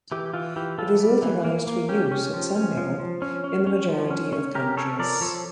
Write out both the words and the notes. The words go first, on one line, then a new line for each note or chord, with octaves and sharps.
It is authorized for use at some level in the majority of countries.
E3 G4
E3 F4
E3 G4
E3 F4 A4
G3
E3
A#3
A#3
C#4 G4
C#4
F3
C#4
F3
F3
C#4
C#4
C#4
F3
C#4
C#4
C#4 G4 A#4
C#4 A4 C#5
F3 A#4 D5
F3 A4 C#5